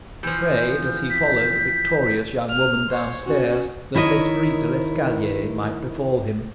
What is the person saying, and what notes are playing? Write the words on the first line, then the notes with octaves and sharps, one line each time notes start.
He prayed, as he followed the victorious young woman downstairs, that l'esprit de l'escalier might befall him.
E3 F3 G6
B6
F6
C5 C#5
C#4 F#4
D#3 E4 C#5 D#5